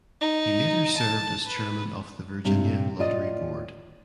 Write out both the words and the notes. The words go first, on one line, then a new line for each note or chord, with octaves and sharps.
He later served as chairman of the Virginia Lottery board.
D#4
A5
B4
G2 C3
A2 F4 D5 D#5